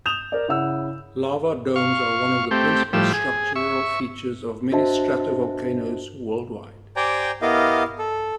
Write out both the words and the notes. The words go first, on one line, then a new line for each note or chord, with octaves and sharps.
Lava domes are one of the principal structural features of many stratovolcanoes worldwide.
D#6 G6 E7 F7
A#4 D5
C#3 E4 E5 F#5 E6
F5 C#6
A3 C4 G4
A2 F3 G3 E6
G#4
E5 C#6
D4 F#4 C5 D#5 E5 A5
G4 C5 D5 G5 G#5 A#5
B3 E4 G4 A#4 D#5 F5
A4